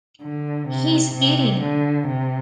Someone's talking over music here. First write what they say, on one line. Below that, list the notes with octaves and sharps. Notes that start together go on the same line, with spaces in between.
He's eating.
D3
C3
C3
D3
C3